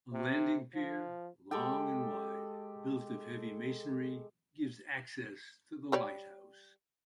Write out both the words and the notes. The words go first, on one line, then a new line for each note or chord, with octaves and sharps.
A landing-pier, long and wide, built of heavy masonry, gives access to the lighthouse.
C3
F3
G#3 G4 A4 G5
G3 C#5 D5